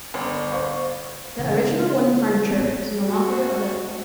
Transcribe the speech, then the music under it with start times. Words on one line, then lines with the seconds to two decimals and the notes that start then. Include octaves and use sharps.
The original wooden furniture is no longer available.
0.14 G1 C4 C5 C#5
0.52 B3 C5 F5 C#6
1.39 C#3 E3
2.51 A1 G#3 B3 C4
3.06 F#4